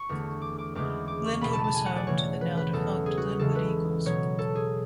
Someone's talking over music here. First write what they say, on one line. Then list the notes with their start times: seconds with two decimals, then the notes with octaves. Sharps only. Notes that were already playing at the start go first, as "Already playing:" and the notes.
Lynnwood was home to the now defunct Lynnwood Eagles.
Already playing: C#6
0.09 E2 D3 A3
0.42 D6
0.59 D6
0.75 E2 C#3 G#3 B3 D6
1.08 D6
1.25 C#6
1.41 B2 A3 B5
1.53 A5
1.64 A5
1.75 G#5
1.86 F#5
1.96 D5
2.07 C#3 E3 A3 C#5
2.41 B4
2.57 B4
2.73 E2 C#3 F#3 B3 A4
3.06 G#4
3.18 F#4
3.39 C#3 E3 G#3 A4
3.56 B4
4.06 B2 F#3 B3 C#5
4.39 A4
4.55 G#4